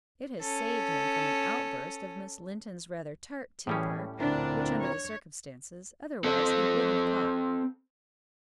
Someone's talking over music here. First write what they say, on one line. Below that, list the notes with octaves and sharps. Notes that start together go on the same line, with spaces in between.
It has saved him from an outburst of Miss Linton's rather tart temper, which, under the circumstances, otherwise he would have caught.
C#4 A4
A2 E3 G3 C#4 G#4
D2 A#2 D3 C4 D4 E4 A#4
C#5
C4 A4